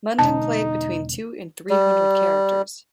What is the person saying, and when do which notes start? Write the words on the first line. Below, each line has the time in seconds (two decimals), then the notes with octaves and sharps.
Munden played between two and three hundred characters.
0.19 E1 D3 D#4 A5
1.70 G3